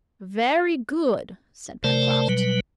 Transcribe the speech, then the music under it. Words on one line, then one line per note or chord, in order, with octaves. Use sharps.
"Very good," said Pencroft.
C3 A3 A#4 C5 D5 A5
B2 F#3 G3 B4